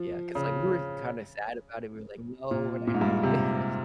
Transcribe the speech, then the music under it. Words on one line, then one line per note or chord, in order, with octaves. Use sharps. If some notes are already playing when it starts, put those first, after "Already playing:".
Yeah. 'Cause like we were kind of sad about it, we were like, "No, we're not gonna get gifts."
Already playing: F3
C#3
A#2
A#2
G#2
G2
G#2
C3